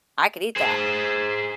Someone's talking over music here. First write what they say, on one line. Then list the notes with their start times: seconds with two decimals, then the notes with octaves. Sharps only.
"I could eat that."
0.56 G#4 C5